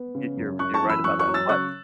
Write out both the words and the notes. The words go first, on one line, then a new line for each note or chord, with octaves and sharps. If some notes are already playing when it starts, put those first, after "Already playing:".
y you're you're right about that, but
Already playing: B3
C#3
F#2
F#2 C#6 F#6
A5 C#6
E3
B5 E6
F#2 C#6 F#6
C#6 F#6
F#3
E6 A6
C#3 C#6 F#6